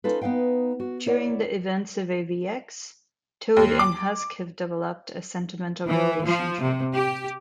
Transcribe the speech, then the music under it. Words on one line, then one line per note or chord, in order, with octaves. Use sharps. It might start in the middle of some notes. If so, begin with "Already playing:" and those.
During the events of AvX, Toad and Husk have developed a sentimental relationship.
C#4 D#4 F4 A4 B4
B3 D#4 B4 F5 G5
F#4
E4 C#5 D5 F#5
D#2
D6
E3
F3
C3
G4